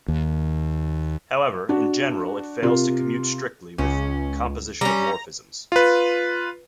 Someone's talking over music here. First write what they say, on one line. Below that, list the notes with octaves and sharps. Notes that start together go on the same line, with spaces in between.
However, in general it fails to commute strictly with composition of morphisms.
D#2
D4 F#4
C3 F4 A#4
C#2 C#4
G3 C#4 A#5
F4 B4